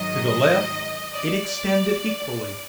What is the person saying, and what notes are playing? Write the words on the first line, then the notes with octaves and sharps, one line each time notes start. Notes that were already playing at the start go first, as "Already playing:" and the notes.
To the left, it extended equally.
Already playing: G#2 D#3 F#3 D#5
D5